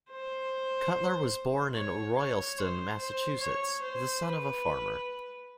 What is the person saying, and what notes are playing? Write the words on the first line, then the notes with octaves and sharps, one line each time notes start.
Cutler was born in Royalston, Massachusetts, the son of a farmer.
C5
C#5
C#5
C5
C5
C#5
C5
B4